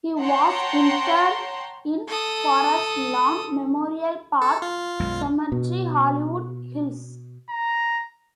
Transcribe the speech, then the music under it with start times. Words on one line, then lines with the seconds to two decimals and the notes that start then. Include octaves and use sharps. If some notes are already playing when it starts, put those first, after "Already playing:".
He was interred in Forest Lawn Memorial Park Cemetery, Hollywood Hills.
0.21 C#5 F#5 G5 A5 A#5 C6
2.07 A4 D#6
4.42 A4
4.62 F4
5.00 B1 F#2 G#3
5.52 B2
7.50 A#5